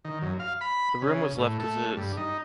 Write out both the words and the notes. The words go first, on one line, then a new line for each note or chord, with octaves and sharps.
The room was left as is.
D#3
F#2
F5
B5
C#3
A2
A3
G2
D#4